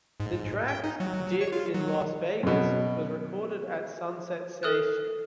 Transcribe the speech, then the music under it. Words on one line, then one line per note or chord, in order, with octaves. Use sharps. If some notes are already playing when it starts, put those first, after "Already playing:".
The track, "Dick in Las Vegas", was recorded at Sunset Station.
G#2
G5
D#4
F#3
C#5
F4
F#3
F#2 B2
A4 D#6 F6 F#6